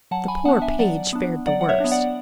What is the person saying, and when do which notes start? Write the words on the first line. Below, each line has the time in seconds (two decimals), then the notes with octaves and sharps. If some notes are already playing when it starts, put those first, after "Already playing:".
The poor page fared the worst.
0.11 F#3 F#5 A5
0.28 G#5 B5
0.45 B3 D4 F#5 A5
0.62 E5 G#5
0.79 F#3 D5 F#5
1.13 B3 D4
1.47 F#3 D5 F#5
1.61 F#5
1.69 C#5 E5
1.80 B3 D4
1.92 D5 F#5